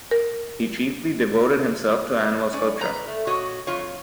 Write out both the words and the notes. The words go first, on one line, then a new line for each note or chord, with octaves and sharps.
He chiefly devoted himself to animal sculpture.
A#4
C#4 D5
B4 A#5
A3
A#2 F#4 C#5 D#5
F2 F4 C#5